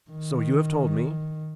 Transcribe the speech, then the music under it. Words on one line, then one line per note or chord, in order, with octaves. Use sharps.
"So you have told me."
D#3